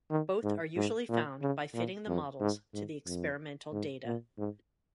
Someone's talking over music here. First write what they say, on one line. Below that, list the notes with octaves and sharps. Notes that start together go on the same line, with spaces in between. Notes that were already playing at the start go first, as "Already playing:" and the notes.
Both are usually found by fitting the models to the experimental data.
D#3
G#2
G#2
A#2
C#3
A#2
F2
G#2
G#2
F2
G#2
A#2
G#2